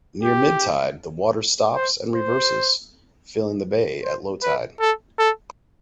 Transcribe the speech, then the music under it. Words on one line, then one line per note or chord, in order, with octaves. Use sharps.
Near mid-tide the water stops and reverses, filling the Bay at low tide.
G4
C5
C5
C5
B4
A4
A4